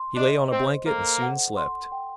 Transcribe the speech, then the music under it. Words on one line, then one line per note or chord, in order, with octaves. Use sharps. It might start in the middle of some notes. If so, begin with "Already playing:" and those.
He lay on a blanket and soon slept.
Already playing: C6
D4 D#5
C4 C5
A#3 A4
F#5
C6
G5